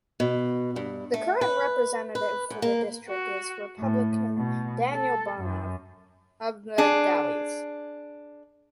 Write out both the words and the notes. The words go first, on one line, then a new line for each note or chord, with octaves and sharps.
The current representative for the district is Republican Daniel Bonham of The Dalles.
B2
G2
A3
B4
B4
G#2
A#3
F#4
A2
B2
A4
F#2
D4 G#4